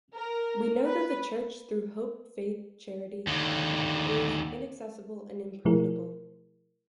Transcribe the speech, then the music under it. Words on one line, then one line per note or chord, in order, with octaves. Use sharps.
We know that the Church through hope, faith, charity, is inaccessible and impregnable.
A#4
B4
D#2 D3
B2 F3 A3 E4 G#4 A#4